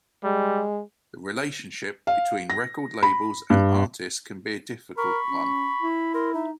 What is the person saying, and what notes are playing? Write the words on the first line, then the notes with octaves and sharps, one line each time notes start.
The relationship between record labels and artists can be a difficult one.
G3 G#3
F5
A#6
B5
G2
A#4 B5 C#6
C#4
E4
A#4 C6
D#4 E5